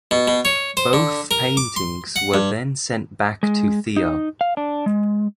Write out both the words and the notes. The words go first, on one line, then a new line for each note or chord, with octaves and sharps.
Both paintings were then sent back to Theo.
B2
B2
C#5
C5
D3
A#4
D6
C6
F#5
G2
G#3
D#4
F5
D4
G#3